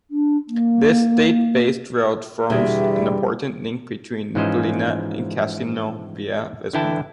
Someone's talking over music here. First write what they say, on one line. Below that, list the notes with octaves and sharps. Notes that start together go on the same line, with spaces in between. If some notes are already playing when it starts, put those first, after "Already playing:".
This state based road forms an important link between Ballina and Casino via Lismore.
D4
A#3
E2 B2 D3 G3 E4 F#4 G#4 E5
G#2 E3 F3 C#4 C5 D#5
D3 E3 E4 G5 A5